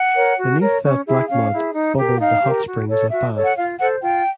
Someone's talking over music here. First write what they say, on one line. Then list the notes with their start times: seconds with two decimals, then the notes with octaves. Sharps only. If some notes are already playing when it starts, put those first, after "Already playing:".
Beneath that black mud, bubbled the hot springs of Bath.
Already playing: F#5
0.15 A#4 C#5
0.38 F#4
0.60 A#4 C#5
0.83 C#4
1.05 E4 G#4
1.29 C#4 F5
1.52 E4 G#4
1.74 D#4
1.97 G4 A#4
2.15 F#5
2.20 D#4 F5
2.43 G4 A#4
2.66 F#4
2.88 A4 C#5
3.11 F#4 E5
3.35 A4 C#5
3.45 F#5
3.56 F4 F5
3.79 A4 C5 F#5
4.02 F4 G5